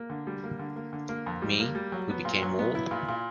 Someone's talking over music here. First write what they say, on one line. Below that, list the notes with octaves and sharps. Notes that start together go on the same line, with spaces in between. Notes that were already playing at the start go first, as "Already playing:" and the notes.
Me, who became old...
Already playing: A#3
D3
G3
A#3
D3
A#3
D3
A#3
F2
G3
A#3
G3
F#3
B3
A#2
F#3
B3
E4
A#2
A#2